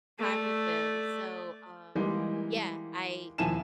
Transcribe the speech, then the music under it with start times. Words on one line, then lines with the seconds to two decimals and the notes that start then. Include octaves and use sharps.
time with them?" So, um yeah, I
0.19 A3 D5
1.95 E3 G3 G#3 A#3
3.38 D#2 F3 E4 G#5 A5 E7